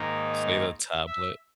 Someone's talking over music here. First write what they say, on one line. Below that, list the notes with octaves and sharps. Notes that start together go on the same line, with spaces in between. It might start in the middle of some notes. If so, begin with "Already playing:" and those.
play the tablet.
Already playing: G#2 D#3 A#3 D#4
E5